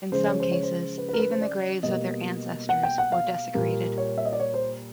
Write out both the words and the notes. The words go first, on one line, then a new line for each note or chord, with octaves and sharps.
In some cases, even the graves of their ancestors were desecrated.
C#3 F3 G#3 C5
C#5
C5
C#5
C5
B4
B4
A#4
B4
C5
D5
B2 G3 A#3 D#5
F#5
G5
F#5
F5
A#2 G3 A#3
C#5
E5
D#5
D5
C#5
C5